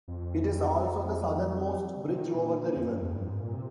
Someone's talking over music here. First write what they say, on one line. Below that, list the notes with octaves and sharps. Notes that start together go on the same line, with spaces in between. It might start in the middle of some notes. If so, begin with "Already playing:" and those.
It is also the southernmost bridge over the river.
F2
C3
D#3
A#2
F2
G2
F2
G2
G#2
A#2
C3